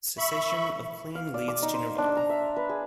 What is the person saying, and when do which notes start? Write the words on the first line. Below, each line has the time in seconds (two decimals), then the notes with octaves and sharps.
The cessation of clinging leads to Nirvana.
0.18 E5 B5 C#6
1.15 F5
1.34 D5
1.48 D6
1.62 D#4
1.74 C5
1.98 D4
2.17 A#5
2.29 E5
2.56 B4
2.69 G#4